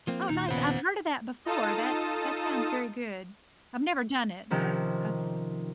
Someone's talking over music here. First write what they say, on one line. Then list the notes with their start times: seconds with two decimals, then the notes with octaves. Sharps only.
Oh, nice. I've heard of that before. That that sounds very good. I've never done it, but I s
0.07 F3 A#3 C4
0.29 D#2 A#2 D#4
0.48 C#3 B3 C5 F#5 B5
1.45 D#4 F4 A4 A5 D#6
4.51 C3 D#3 F3 C#4